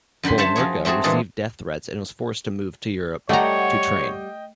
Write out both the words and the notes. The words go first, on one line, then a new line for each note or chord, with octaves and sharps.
Boulmerka received death threats and was forced to move to Europe to train.
F#2 D3 G5 B5 C6
A4 C5 C#5 E5 F#5 A5
F3 F#4 G#4 C#5
A3 C4 F#4 G#4 A4
A#2 E3 G#3 D4 G#4 A4
G3 A3 C#5 D#5 F#5 G5 A#5